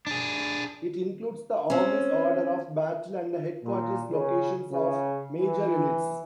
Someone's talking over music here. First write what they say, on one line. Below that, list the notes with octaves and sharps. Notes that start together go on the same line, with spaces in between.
It includes the army's order of battle and the headquarters locations of major units.
D4 G#4
C4 C#4
A#2
C#3
C#3
E3